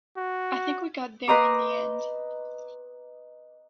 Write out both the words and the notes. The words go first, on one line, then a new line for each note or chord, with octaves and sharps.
I think we got there in the end.
F#4
B4 C5 D#5 A#5 D6